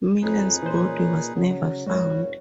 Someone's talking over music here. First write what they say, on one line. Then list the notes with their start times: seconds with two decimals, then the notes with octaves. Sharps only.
Milne's body was never found.
0.22 F2 A2 D#4 G#4 B4
0.63 A#2 E3 C#4 C5
1.34 C#3 F#3
1.87 F1 G#2 G3 F#4 C#5